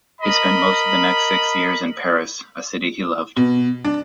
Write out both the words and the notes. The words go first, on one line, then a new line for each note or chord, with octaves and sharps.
He spent most of the next six years in Paris, a city he loved.
A#4 D#5 B5
B2
D4